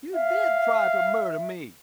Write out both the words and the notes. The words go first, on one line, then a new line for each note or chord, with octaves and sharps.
"You did try to murder me!"
E5 F5